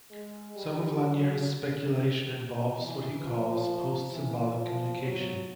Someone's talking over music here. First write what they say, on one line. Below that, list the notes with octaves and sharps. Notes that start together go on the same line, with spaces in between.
Some of Lanier's speculation involves what he calls post-symbolic communication.
G#3
G3
F#3
E3
F3
E3
F3
F#3